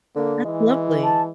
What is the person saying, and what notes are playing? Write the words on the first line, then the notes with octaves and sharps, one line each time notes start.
That's lovely.
D3 A#3
E3 G#3
A5